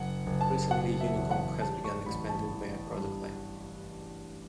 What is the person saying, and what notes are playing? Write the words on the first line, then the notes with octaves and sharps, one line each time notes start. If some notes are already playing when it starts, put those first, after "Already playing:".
Recently, Unicomp has begun expanding their product line.
Already playing: F#1 F#5
F#1
A5
B2 F#5
E5
E2
F#5
G3 A5
C#6
A1 B5
A5
E3
G2